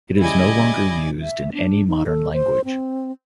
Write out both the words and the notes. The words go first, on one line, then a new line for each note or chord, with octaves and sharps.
It is no longer used in any modern language.
C#3 G3 E4 D5 D#5 G#5
E5
D4
D#4
A4
C5
C4